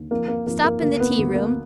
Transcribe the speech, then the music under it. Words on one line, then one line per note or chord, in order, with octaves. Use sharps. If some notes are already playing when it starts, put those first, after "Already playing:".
'Stop in the tea-room.
Already playing: D#2 D3
F3 A#3
A#3
F3 A#3
A#3
D2 A#3
B3
D2
A#3